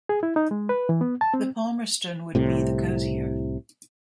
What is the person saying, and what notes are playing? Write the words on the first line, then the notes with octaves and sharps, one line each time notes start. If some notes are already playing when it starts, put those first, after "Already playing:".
The Palmerston would be the cosier.
G#4
E4
D#4
G#3
B4
E3
B3
A5
C4
C2 A2 C3